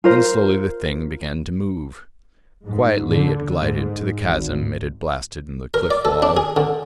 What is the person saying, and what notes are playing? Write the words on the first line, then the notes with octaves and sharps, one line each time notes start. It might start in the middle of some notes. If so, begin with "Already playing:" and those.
Then slowly the Thing began to move; quietly it glided to the chasm it had blasted in the cliff wall.
F4 A#4 C5
G#2
D3
G#2
G#1
A#4
D5
A4
D4
G#4
D3